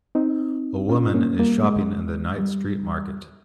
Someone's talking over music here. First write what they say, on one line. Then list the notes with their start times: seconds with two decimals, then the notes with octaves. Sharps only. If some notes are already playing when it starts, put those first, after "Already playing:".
A woman is shopping in the night street market.
0.15 C4 D#4
0.89 C#4 F4
1.14 A#3 C#4
1.39 G3 A#3
1.63 G#3
2.38 G3